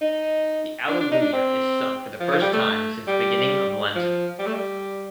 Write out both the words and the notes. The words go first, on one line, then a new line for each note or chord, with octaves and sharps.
The Alleluia is sung for the first time since the beginning of Lent.
D#4
D4
D4
D#4
D4
C4
F3
F3
G3
A3
G3
F3
G3
A3
G3